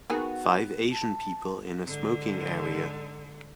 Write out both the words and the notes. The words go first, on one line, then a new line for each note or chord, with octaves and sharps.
Five Asian people in a smoking area.
D#3 B3 F#4 G#4
A5
G#2 D3